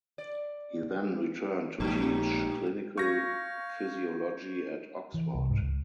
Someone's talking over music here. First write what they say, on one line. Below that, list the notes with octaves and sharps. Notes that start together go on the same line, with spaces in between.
He then returned to teach clinical physiology at Oxford.
D5
A#1 A#2 G#3 A#3 D#4 G4
F5 C#6 G6 G#6 A#6
E3
C2
G#2
C#2